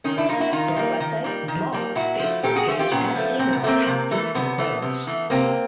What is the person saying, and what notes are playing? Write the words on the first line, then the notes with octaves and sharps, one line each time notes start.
Their website, blog, Facebook page, and emails have since been closed.
D#3 C#4 D#4
D4 E4
G3 A#3 D#4 F4
E4 F#4
D#3 D#4 F4
G3 A#3
D#3
G3 A#3
D#3
G3 A#3
A#2 E4 F#4
F3 A3
A#2 G4 A4
F#4 G#4
F3 A3
F4 G4
A#2 B3 C#4
F3 A3
A#2 C4
B3
F3 A3 A#3 C4
C3
E3 A3
C3 B3
E3 A3
C3
E3 A3
C3 A#3 C4